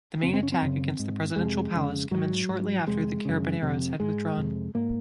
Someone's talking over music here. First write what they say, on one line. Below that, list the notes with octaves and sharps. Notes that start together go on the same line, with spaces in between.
The main attack against the presidential palace commenced shortly after the carabineros had withdrawn.
F#2 C#3 C4
C4
C#4
C4
F#2 C#3
G#2
F2 C3 G#3
F2 C#3
G#2 F#3
G#2
F2 C3 G#3
F#2 C#3
F2 C3
G#2 G#3
F2 C3
G#2 A#3